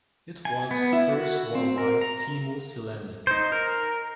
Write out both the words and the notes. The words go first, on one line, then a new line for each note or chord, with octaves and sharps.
It was first won by Teemu Selanne.
G#5
B3
E4
F#4
C4
A#4
A#5
D#4 C5
A#4